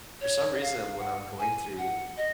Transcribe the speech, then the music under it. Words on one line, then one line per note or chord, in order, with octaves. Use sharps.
for some reason, when I'm going through
C#5
F5
F#5
G#5
F#5
D#5